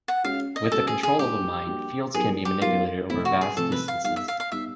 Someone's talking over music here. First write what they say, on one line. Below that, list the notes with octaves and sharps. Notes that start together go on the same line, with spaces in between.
With the control of a Mind, fields can be manipulated over vast distances.
F#5
G#3 C#4 F#4 F5
D#5
G#3 C#4 F#4 A4
G#4
G#4
G3 A#3 D4 F#4 G4
G3 A#3 D4 F#4
F#3 B3 D#4 G4 G#4 A#4
G4
F#3 B3 D#4 F4 G4 A#4
C3 F3 A3 C4 E4
F#4
G#4
C3 F3 A3 C4 A4
B4
F5
G3 B3 D#4 F5
E5
F5
F5
G3 B3 D#4 E5